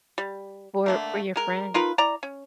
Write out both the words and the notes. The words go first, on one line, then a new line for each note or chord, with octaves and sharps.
for for your friend.
G3
D3 A3 A#3
G#3 A#4
D#4 F4 A#4 B4
E4 D5 A#5
C#4